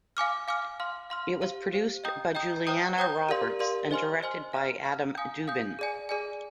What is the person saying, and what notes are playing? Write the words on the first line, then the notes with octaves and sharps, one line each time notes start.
It was produced by Juliana Roberts and directed by Adam Dubin.
F5 G#5 D6 F6
F5 G#5 D6 F6
F5 C6 F6
F5 C6 F6
G4 C5 F5
G4 C5 F5
D#5 G5 A#5 D#6 G6
D#5 G5 A#5 D#6 G6
C5 G5 A#5 D#6 G6
C5 G5 A#5 D#6 G6
G4 A#4 D5 F5 C6
G4 A#4 D5 F5 C6
C5 D#5 G#5 C6 F6
C5 D#5 G#5 C6 F6
F5 A#5 F6
F5 A#5 F6
F5 G#5 D#6 G6
F5 G#5 D#6 G6
G#4 D5 G#5
G#4 D5 G#5